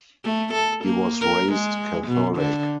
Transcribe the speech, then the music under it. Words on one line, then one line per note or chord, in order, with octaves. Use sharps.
He was raised Catholic.
A3
A4
A#3
A#4
G#3
B2
D3